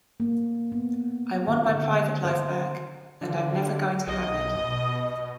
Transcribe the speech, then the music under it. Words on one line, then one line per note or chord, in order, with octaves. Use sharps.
I want my private life back and I'm never going to have it.
A#3
B3
D#3
D3
C5
D3
B1 D#5
B2